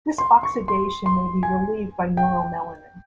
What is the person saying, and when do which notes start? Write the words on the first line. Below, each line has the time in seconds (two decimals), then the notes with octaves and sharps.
This oxidation may be relieved by neuromelanin.
0.18 C6
0.43 C#6
0.68 C6
1.06 C6
1.43 G#5
2.17 G5